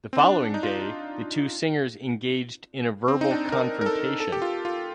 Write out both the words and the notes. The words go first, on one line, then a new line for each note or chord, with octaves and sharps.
The following day, the two singers engaged in a verbal confrontation.
C4
D4
D#4
F4
C4
D#4
D4
A#4
A#4
A4
A4
G4
F4
F4